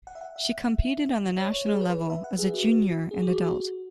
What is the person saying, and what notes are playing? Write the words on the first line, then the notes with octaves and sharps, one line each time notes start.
She competed on the national level as a junior and adult.
F#5
E5
F#5
E5
C#5
C#5
G#4
C#5
B4
E5
F#5
G#4
F#4
G#4
F#4
G#4
F#4